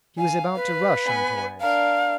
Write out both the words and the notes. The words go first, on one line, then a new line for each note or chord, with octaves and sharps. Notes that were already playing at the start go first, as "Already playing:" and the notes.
He was about to rush on Torres.
F5 G#5
B4
B3 G#5
D4 A#4 F5